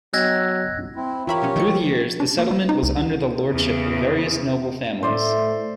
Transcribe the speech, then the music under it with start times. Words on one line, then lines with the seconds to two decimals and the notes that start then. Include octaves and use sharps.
Through the years, the settlement was under the lordship of various noble families.
0.13 F#3 B3 D#5 E6 F#6 G#6 A#6
0.96 C4 E4
1.27 E3 F4 G4 A#4 C#5 E5 B5
1.42 B2 F3 C#4
1.56 D#3 F3 A3 C#7
2.20 D4
2.38 A#3
2.51 G3
2.69 D#4
2.83 C#2
3.51 E2 C#3
5.03 A2 A3 C5 D5 E5